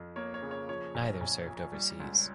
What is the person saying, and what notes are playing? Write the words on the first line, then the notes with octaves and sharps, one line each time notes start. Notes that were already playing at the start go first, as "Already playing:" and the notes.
Neither served overseas.
Already playing: F2 F3
A#3 C#5
C#5
C#3
C#5
F3 C#5
A#1
A#1
A#2
G3
C#2